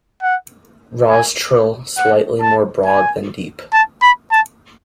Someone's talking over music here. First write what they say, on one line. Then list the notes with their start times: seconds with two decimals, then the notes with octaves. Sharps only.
Rostral slightly more broad than deep.
0.22 F#5
1.10 G#5
1.98 F#5
2.42 A5
2.86 G#5
3.73 A5
4.02 B5
4.32 A5